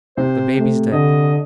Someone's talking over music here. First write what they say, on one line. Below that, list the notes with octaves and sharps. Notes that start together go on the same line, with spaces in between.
The baby's dead.'
C3 C5
A3
D3 D#5